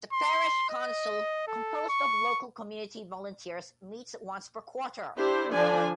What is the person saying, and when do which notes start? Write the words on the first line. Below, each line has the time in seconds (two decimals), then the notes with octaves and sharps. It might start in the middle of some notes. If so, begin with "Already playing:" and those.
The Parish Council, composed of local community volunteers, meets once per quarter.
0.13 C6
0.70 D#5
1.48 A4
1.89 C#6
5.17 D4 E4 G4 C5
5.52 D3 F3 D4 D5 G#5